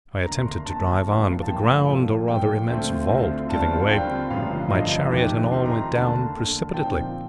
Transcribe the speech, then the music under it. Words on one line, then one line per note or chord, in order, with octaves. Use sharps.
I attempted to drive on, but the ground, or rather immense vault, giving way, my chariot and all went down precipitately.
F1 D#2 D3 A#5
C6
A#5
F1 D#2 D3 A5
A1 G2 F3 A#3 F4
A5
A1 G2 F3 A#3 F4 G5
A#2 F3 A3
A#2 F3 A3 G5
D2 D3 A3 C4 F4
D2 D3 A3 C4 F4
D#2 D3 G3 C4 F4 A5
D#2 D3 G3 C4 F4 G5
A1 G2 D3 F3 F5
A1 G2 D3 F3 D#5
F2 C3 D#3 A3 D#4 D6
F2 C3 D#3 A3 D#4 C6
A#5
C6
A#5
D#2 D3 A3 A5
D#2 D3 A3
A5
A#2 F3 C4 D#4 G5